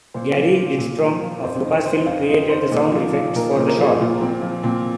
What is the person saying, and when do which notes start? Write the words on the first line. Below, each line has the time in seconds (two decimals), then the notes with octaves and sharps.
Gary Rydstrom of Lucasfilm created the sound effects for the short.
0.14 A#2 C5
0.36 F3
0.57 F3
0.78 A#2
1.00 A#2
1.21 F3
1.42 F2 C5
1.64 D#3 D#5
1.86 D#3 C5
2.06 F2 F5
2.28 F2 D#5
2.49 D#3 C5
2.71 A#2 D#5
2.92 F3
3.14 F3
3.36 A#2 A#4
3.51 C5
3.57 A#2
3.67 A#4
3.78 F3
3.83 G#4
3.99 A#2 F4
4.20 F3 C4
4.42 F3
4.63 A#2 C4